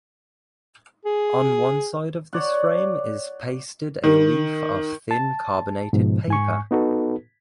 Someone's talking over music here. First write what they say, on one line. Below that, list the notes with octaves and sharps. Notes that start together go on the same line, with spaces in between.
On one side of this frame is pasted a leaf of thin carbonated paper.
G#4
C#5 D5 F#5
D#3
A5
G#2 B2 F3
G#2 G#5 C#6
B3 D#4 F#4 A4 B4